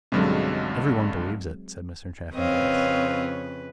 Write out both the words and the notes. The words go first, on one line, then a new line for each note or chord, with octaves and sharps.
"Every one believes it," said Mr. Chaffanbrass.
B1 G2 D3 F#3 G#3 C4
F2 C#3 C4 B4 C#5 D#5 F5